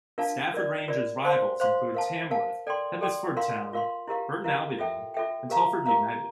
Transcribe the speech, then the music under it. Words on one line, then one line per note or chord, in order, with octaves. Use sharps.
Stafford Rangers' rivals include Tamworth, Hednesford Town, Burton Albion, and Telford United.
D4 F4 A#4 F5 A5
F4 A#4 D5
F4 A#4 D5
C5 F5 C6
C5 F5 C6
A#4 F5 A5
A#4 F5 A5
A4 D5 G5 C6
A4 D5 G5 C6
F4 A#4 F5 C6
F4 A#4 F5 C6
E4 G4 A#4 F5
E4 G4 A#4 F5
F4 A4 E5 G5
F4 A4 E5 G5
G4 A#4 F5 A#5
G4 A#4 F5 A#5